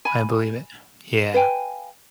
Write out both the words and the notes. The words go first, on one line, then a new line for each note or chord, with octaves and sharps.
I believe it. Yeah.
G#5 B5
B4 F5 G5 G#5